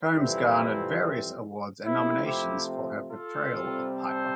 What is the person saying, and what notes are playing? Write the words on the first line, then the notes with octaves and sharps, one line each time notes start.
Combs garnered various awards and nominations for her portrayal of Piper.
F2 C3 E3 G3 C4 E4
C3 F3 A3 C4 E4
E4 G4
F4 A4
C3 G3 C4
A4 C5